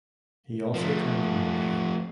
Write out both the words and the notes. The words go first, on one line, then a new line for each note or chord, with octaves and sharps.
He also trained in Milan.
F3 A3